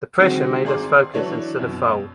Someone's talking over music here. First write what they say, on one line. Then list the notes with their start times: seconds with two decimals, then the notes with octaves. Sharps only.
The pressure made us focus instead of fold.
0.19 D3 D#3 F#3 G#3 C4 F#4
0.65 G#1 G#4 D5 A#5 C6 D6
1.14 E3 F#3 D4 C#5 D5
1.59 F#2 B2